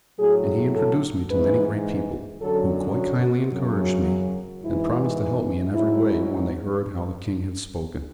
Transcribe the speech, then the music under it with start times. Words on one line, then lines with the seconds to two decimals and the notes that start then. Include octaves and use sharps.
And he introduced me to many great people, who quite kindly encouraged me, and promised to help me in every way when they heard how the King had spoken.
0.19 A2 F#3 G#4
0.75 A4
1.30 G#2 E3 B4
2.41 F#2 D3 F#3 A4
2.97 F#4
3.52 F#2 C#3 F#3
4.64 G#2 E3 E4
5.75 G#2 F#3 E4